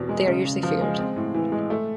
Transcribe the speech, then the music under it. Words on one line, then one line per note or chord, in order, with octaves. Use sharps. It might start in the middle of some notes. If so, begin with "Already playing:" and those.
They are usually feared.
Already playing: E2 B2 G3 C4
G#3
C#3
C#3
F3
G#3
C4
A2
E3
G#3
A3